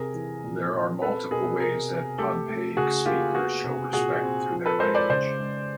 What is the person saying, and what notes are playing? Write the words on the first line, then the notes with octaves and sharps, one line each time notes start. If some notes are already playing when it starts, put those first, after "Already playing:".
There are multiple ways that Pohnpeic speakers show respect through their language.
Already playing: C3 C4 G#4 A#4
E3
A#2
A#2
C4 A4 B4
B2 G#4 A#4
C3 G#4 A#4
C3
A3 G4 A4
A3
C#3 F#4 G#4
A#3 F4 G4
B3 F#4 G#4
C3
A#2 F#4 G#4
C4
F3
A4 B4
G#3 A#4 C5
C5 D5
C#3 C5 D5
G#3